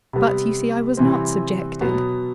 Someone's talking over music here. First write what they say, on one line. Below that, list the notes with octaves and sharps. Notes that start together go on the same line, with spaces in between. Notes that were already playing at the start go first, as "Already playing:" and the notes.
But you see I was not subjected.
C3 G3 B3
C3 E3 G3 C4
B2 F#3 B3